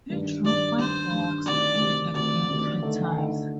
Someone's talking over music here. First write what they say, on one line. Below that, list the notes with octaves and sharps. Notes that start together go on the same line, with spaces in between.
He drew five walks in a game three times.
G2 D#3 G3 D4
G2 D#3 G3 D4 D5
G2 D#3 G3 D4 C5
G2 D#3 G3 D4
D2 C3 D#3 D5
D2 C3 D#3
D2 C3 D#3 D5
D2 C3 D#3
D3 A3 D#4
D3 A3 D#4